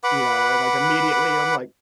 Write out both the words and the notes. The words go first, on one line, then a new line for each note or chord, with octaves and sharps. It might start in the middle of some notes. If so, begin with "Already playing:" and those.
you know, and, like, immediately, I'm like
B4 F#5 B5 D6